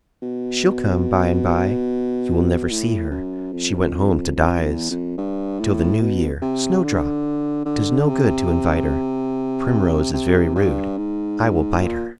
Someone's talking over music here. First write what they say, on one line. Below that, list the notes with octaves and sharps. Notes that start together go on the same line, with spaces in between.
"She'll come by-and-by." "You will never see her." "She went home to dies, "Till the new year." "Snowdrop!" "'Tis no good To invite her." "Primrose is very rude, "I will bite her."
B2
A2
F#2
F2
F2
F2
E2
F2
G2
A2
B2
C3
D3
D3
C3
C3
G2
G#2
A#2